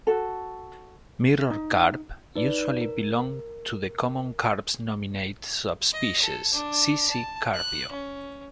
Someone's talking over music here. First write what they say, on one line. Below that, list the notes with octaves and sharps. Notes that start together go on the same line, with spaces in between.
Mirror carp usually belong to the common carp's nominate subspecies, "C. c. carpio".
F#4 A4
D#4
D#4 B4 D5
A#4
D#5
A4
D4
A5
F#6
C#4